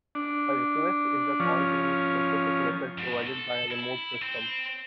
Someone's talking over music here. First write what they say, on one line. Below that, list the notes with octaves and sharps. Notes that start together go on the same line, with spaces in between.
A request is a call to a specific method provided by a remote system.
D4
F3 C#4
G#2
A4
E4
C4